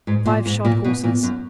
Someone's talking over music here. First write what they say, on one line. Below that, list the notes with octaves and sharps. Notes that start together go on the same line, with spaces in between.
Five shod horses.
G#2
A#2
G#2
A#2
B2
A#2
F#2